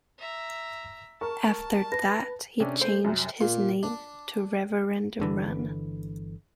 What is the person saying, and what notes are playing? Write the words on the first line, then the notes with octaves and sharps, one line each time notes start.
After that he changed his name to "Reverend Run".
E5 A#5
A#4 A5 C#6
B4 A#6
C3 C#4 D4
A3 C5
C2 F#2
A#2
D4
G1 D3 E3